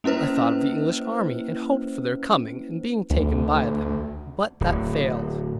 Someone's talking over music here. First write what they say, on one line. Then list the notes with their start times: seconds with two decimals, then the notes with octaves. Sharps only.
I thought of the English army, and hoped for their coming, and being taken by them, but that failed.
0.04 A#3 C#4 E4 B4 C5
3.10 D2
4.61 D1